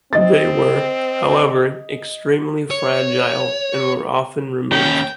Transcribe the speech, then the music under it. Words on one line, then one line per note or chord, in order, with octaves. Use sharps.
They were, however, extremely fragile and were often removed.
C4 D#5 A6
C#5
D#2 C#4 G5